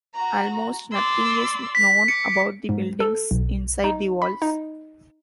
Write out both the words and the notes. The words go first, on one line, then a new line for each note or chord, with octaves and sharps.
Almost nothing is known about the buildings inside the walls.
F#4 A#5
D5 C6 E6
B6
D6 C#7
G#2
A4
B1
D#4
B5
D#4